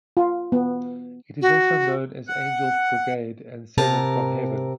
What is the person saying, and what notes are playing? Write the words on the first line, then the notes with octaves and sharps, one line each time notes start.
It is also known as Angels' Brigade and Seven from Heaven.
F4
B3
F#4
F#5
C3 A#4 A5 A#5